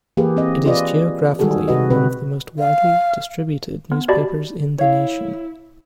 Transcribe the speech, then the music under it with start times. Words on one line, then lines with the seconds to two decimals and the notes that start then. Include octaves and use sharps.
It is geographically one of the most widely distributed newspapers in the nation.
0.17 E3 A#3 G4 G#4 B4
0.37 C4 D#5
0.66 F4 G#4 B4 D5 D#5
1.39 D#3 G3 G#3 F#4 G#4 A4
1.68 C3 F#4 B4 D#5
1.90 B2 C4 F#4 B4
2.59 F5
3.92 B3
4.08 F#4 G4 D5 D#5 A5 B5
4.79 E4 C#5 F5